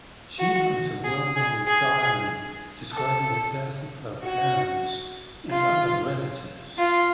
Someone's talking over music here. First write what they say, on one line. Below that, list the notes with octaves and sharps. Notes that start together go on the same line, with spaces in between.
She wrote a well-known diary, describing the death of her parents and other relatives.
F#4
G#4
G#4
G#4
A4
F#4
F4
F4